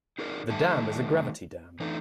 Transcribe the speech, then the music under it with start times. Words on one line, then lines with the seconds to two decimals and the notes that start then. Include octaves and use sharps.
The dam is a gravity dam.
0.18 D#4 G#4 A#4 D5
0.50 D#3 G3 A3 A5
1.80 E3 A3 D4 D#4